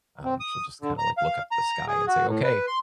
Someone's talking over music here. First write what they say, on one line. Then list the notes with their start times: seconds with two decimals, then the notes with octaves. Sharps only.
Um, she'll just kinda, like, look up at the sky and say, "Okay,
0.25 C4
0.40 D#6
0.82 D3
0.98 A#5
1.18 F5
1.51 A#5
1.88 G#4
2.07 F#4
2.28 A2
2.43 B4
2.67 C6